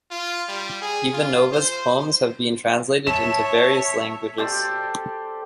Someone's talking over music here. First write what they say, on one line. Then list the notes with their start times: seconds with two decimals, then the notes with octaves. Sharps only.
Ivanova's poems have been translated into various languages.
0.11 F4
0.48 G3
0.81 G#4
1.13 F4
1.52 C5
3.07 C#5 E5 A5 E7
4.38 G4 A4 C5 D5